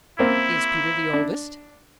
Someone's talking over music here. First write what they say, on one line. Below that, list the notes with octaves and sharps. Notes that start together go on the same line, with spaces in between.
"Is Peter the oldest?"
A#3 C4 E4
D4